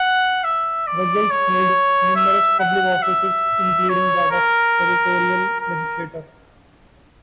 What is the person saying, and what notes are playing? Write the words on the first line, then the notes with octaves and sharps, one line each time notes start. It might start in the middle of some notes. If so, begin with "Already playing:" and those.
Ruggles held numerous public offices including that of Territorial Legislator.
Already playing: F#5
E5
D5
C#5
E5
F#5
E5
C#5
A#4
A#4